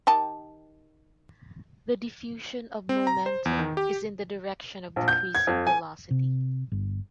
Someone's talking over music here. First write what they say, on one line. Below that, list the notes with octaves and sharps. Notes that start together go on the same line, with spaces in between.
The diffusion of momentum is in the direction of decreasing velocity.
D#3 G4 A5
C4
A#5
C5
E2
D#3
G4
A#1
G6
G#6
F2
G#5
C3
G1